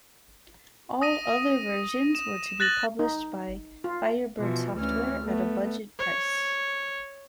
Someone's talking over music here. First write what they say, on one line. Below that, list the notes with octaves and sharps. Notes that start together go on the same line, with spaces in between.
All other versions were to be published by Firebird Software at a budget price.
D#6 A#6 D#7
E7
F#6 A6 A#6 F#7
D#4
F4
B2 E3 F3
D2 E3 C#4 F6
A3 B3
C#5